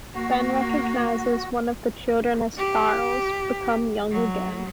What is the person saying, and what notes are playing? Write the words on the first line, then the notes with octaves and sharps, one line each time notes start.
Ben recognizes one of the children as Charles, become young again.
A#3 F#4
G4
F#3